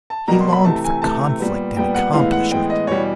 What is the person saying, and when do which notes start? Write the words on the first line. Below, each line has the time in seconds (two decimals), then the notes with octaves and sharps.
He longed for conflict and accomplishment.
0.10 A5
0.28 B2 G3 A#3 A#5
0.41 C6
0.53 B5
0.65 C3 E3 A3 A5
0.84 G#5
1.02 C3 E3 A3 A5
1.40 A#2 G3 B3
1.76 A#2 G3 B3 G5
1.94 F#5
2.13 A2 E3 G#3 B3 F5
2.32 F#5
2.51 A2 E3 G#3 B3 G5
2.70 D#5
2.87 E2 B2 G3 C#5